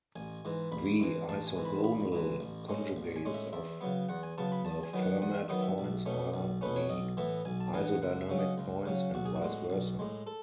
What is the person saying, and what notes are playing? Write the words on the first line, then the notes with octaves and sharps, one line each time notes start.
The isogonal conjugates of the Fermat points are the isodynamic points and vice versa.
A1 G#5
G#2 E3
A1 B5
G#2 E3
A1 A5
G#5
G#2 E3
B5
A1 B5
G#2 E3
A1
A2 G#3 C#4
A1
G#5
A2 G#3 C#4
E5
E2 E5
C#3 F#3 B3
E2 F#5
G#5
C#3 F#3 B3 A5
B5
E2 A5
G#5
D#3 F#3 B3
F#5
E2 F#5
E5
D#3 F#3 B3 D#5
E5
B1
B2 A3 C#4
B1
B2 A3 C#4 B4
C#5
B1 D#5
A2 E3 B3 E5
B1 G#5
A5
A2 E3 B3 G#5
F#5
C#2 F#5
E5
C#3 F#3 C#4
D#5
C#2
C#3 F#3 C#4
B1 F#4
G#4
F#4
A2 G#3
B1
A2 G#3
A4